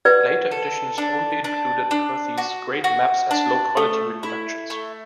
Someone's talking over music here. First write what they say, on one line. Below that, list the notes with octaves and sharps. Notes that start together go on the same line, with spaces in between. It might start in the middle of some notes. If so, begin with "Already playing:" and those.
Later editions only included Perthes' great maps as low quality reproductions.
F#4 B4 D5
A4
D4
D4
D4
F#4
F#4
D4
A3 A4
E4
A3